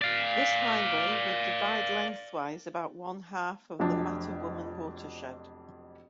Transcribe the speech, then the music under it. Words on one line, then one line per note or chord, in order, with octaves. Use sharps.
This highway would divide lengthwise about one-half of the Mattawoman watershed.
D5 F5
F1 B1 F2 D4